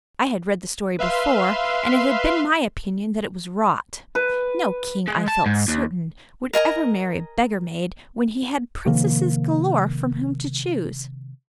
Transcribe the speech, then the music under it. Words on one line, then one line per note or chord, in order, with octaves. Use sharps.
I had read the story before, and it had been my opinion that it was "rot." No king, I felt certain, would ever marry a beggar maid when he had princesses galore from whom to choose.
B4 E5 F5 C6
B4
G#3
A5
G#2
D#2
A#4 D#5 G#5 A#5
C3 D#3 F3 A#3